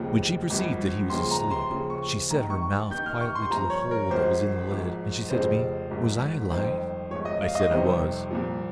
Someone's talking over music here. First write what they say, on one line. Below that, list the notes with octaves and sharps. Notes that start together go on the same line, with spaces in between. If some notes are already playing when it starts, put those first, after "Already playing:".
When she perceived that he was asleep, she set her mouth quietly to the hole that was in the lid, and she said to me 'was I alive?' I said I was.
Already playing: F1 D#2 C#3 F3
G#1 G2 F3
D#2 C#3 F3 C6
A#5
C6
D#2 C#3 F3
C#6
A#1 G#2 D#3 A#5
C#6
D#2 D#3 G6
F6
C#6
C6
G1 G2 F3 A#5
C#5
A#4
G#1 G#2 F3 C5
G#1 G#2 F3
F1 F2 C#3 F3 C5
G#1 G#2 F3
G1 F2 D#3 C5
G#1 G#2 F3 C#5
D#5
F5
D#5
G1 F2 C3 D#3 C5
C2 A#2 F3